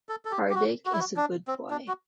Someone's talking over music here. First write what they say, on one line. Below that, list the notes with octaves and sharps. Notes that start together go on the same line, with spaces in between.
Hardik is a good boy.
A4
A4
G4
G4
F#4
F#4
E4
F#4
D4
C4
D4
F#4